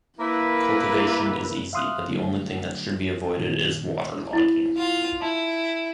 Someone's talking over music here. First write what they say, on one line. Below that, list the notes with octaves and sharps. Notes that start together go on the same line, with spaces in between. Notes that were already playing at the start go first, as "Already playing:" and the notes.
Cultivation is easy but the only thing that should be avoided is waterlogging.
A#3 E4 B4
E5 F5 C6 D#6 F6 F#6
D3 F#3 A3
A#2 D#3
E4
F4 F5
E4 A5